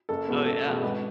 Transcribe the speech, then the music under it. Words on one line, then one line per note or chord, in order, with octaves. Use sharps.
Oh, yeah.
F#1 A4
E2 B2 G#3 B3
F#1 A4
E2 B2 A3
G#1 B4